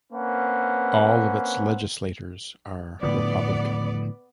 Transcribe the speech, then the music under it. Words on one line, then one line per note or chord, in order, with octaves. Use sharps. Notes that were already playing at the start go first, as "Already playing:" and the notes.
All of its legislators are Republican.
A#3 C4 C#4 B4 F#5
A2 D3 F3 B3 D5